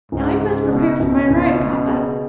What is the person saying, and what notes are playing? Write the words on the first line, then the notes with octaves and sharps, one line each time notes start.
Now I must prepare for my ride, papa.
C#2 G#2
C#3
B2 B3
C#2 B2
C#2 B2
C#3
G#4